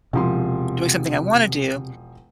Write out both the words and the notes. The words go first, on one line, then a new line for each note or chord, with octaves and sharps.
doing something I wanna do,
E1 C3 F3 C6